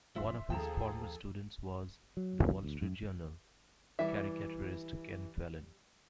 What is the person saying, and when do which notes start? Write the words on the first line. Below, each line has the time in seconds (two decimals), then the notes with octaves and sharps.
One of his former students was "The Wall Street Journal" caricaturist Ken Fallin.
0.16 F1 F#2 F3 E5 C6
0.50 D#2 F3 G#4 A4 G5 A#5 E7
2.17 F#3
2.63 D2
2.81 F#2
3.99 E3 G3 E5